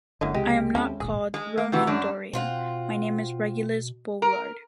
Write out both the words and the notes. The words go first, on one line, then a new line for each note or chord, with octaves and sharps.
I’m not called Romain Doria, my name is Régulus Boulard.
G1 F#2 D3 G#3 A#3 E4 C#5 D#5
C#2 C3 G#3 G4 D#5
D#2 C4 C#4 E4 A4
D1 G#1 A#2 G#4
G#3
A#3
C3 E3 F#4
F#2 D4
B2 C4 F4 F#5
A#4